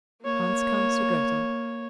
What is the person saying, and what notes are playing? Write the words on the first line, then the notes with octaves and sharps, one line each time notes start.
Hans comes to Grettel.
A#3 C#5